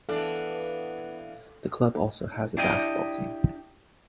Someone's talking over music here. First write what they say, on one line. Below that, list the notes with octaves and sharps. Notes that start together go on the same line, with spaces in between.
The club also has a basketball team.
E3 B3 D4 A4 F5
D4 E4 G4 D#5 G5